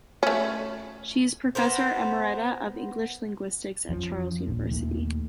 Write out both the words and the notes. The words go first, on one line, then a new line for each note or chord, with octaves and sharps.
She is Professor Emerita of English Linguistics at Charles University.
A3 C#4
B3 A#4 C5
F2 F3 C#4
D#1 A#1
D#2 D#3 A3